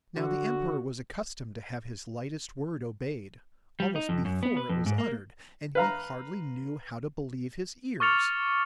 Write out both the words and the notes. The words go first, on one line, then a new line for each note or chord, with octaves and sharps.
Now the emperor was accustomed to have his lightest word obeyed, almost before it was uttered, and he hardly knew how to believe his ears.
D3 F#4
G3
D#4
F2
F#2
B3
B4
F2
G#2
A#3
B4 F5 A#5
C#6 D6 F6 A6 C#7 F7